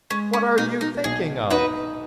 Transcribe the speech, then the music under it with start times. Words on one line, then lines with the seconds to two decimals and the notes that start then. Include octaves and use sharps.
'What are you thinking of?'
0.11 G#3 C#4
0.33 C#4
0.58 B2 D#4
0.81 D#4
1.04 B1 G#4
1.50 D#4 F#4 B4